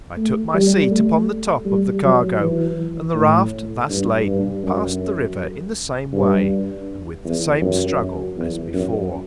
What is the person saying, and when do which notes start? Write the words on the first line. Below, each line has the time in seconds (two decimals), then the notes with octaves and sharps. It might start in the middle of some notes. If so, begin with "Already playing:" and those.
I took my seat upon the top of the cargo, and the raft thus laden passed the river in the same way, and with the same struggle as before.
0.17 A3
0.54 G3
0.91 A3
1.65 G3
2.03 F#3
2.40 E3
3.15 A2
3.89 G2
4.27 G2
4.64 F#2
6.13 G2
7.24 E2
7.62 F#2
8.36 E2
8.74 F#2